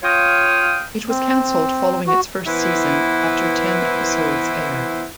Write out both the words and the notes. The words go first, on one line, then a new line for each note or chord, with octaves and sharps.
It was cancelled following its first season, after ten episodes aired.
F4 C#5 F5 G5 D#6 F6
C4
F#4
E3 B3 E4 B4 C5